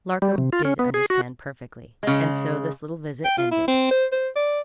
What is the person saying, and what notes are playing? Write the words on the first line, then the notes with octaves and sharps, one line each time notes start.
Larcom did understand perfectly, and so this little visit ended.
G3
C3
F4
C#4
B3
G#4
F#4
C#3 G#3
G5
F4
E4
C4
C5
C5
D5